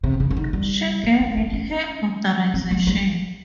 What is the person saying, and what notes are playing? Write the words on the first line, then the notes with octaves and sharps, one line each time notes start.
She gave it her authorization.
C3
C#3
C#3
D#3
G3
G#3
D#4
C#4
C#4
C4
G#3
G3